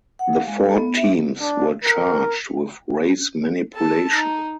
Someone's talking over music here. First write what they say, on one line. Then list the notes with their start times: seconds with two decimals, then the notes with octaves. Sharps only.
The four teams were charged with race manipulation.
0.19 F#5
0.33 F5
0.47 G#3
0.64 A4
0.77 B3
0.96 E5
1.41 D4
1.84 A#4
3.73 A4 A5
4.11 D#4